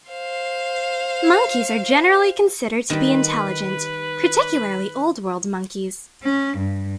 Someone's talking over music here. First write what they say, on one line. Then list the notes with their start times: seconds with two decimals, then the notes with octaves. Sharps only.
Monkeys are generally considered to be intelligent, particularly Old World monkeys.
0.10 C5 F5
2.90 D#3 G3 B4
6.24 C#4
6.58 G2